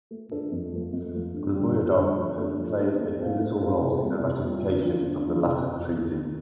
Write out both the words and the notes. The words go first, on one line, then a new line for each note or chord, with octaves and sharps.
Griboyedov had played a pivotal role in the ratification of the latter treaty.
A3
D4 A4
F2
F3 A3
F2
F3 A3
G2
D3 G3
G2
D3 G3
F3
A3 D4 G4
F3
A3 D4 G4
A3
C4 A4 C5 F5
A3
C4 A4 C5 F5
C3
G3 C4 F4
C3
G3 C4 F4
D3
F3 D4 F4
D3
F3 D4 F4
C3